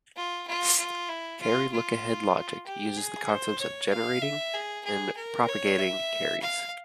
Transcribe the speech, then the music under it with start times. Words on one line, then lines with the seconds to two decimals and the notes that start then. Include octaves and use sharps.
Carry lookahead logic uses the concepts of "generating" and "propagating" carries.
0.16 F4
0.47 F4
0.78 F4
1.09 E4
1.41 F4
1.72 F4
2.66 G4
2.97 G#4
3.29 C5
3.60 C#5
3.91 F5
4.22 E5
4.54 G#4
4.85 G#4
5.17 A#4
5.48 C#5
5.79 E5
6.42 F5